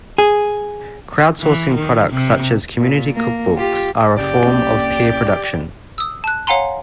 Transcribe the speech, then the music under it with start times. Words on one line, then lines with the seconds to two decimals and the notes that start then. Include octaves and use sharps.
Crowdsourcing products such as community cookbooks are a form of peer production.
0.18 G#4
1.40 E3
1.76 D#3
2.10 C3
2.78 A#2
3.14 A#3
3.57 F4 G4
4.16 F#1 C#3 G4 D5
4.46 C2 A#3 C#4
5.98 D#6 E6
6.24 A5 F#6
6.47 C#5 F5 F#5 G#5 A#5 C6